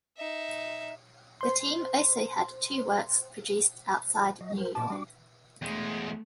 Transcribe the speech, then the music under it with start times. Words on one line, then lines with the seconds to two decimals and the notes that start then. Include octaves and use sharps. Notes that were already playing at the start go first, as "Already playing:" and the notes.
The team also had two works produced outside New York.
0.17 D#4 E5
1.41 C5 C6
4.41 F#3 D#5
4.57 A#4 C5
4.75 A#2 A5 D6
4.90 G3 D4 F#4
5.62 E2 G#3 A3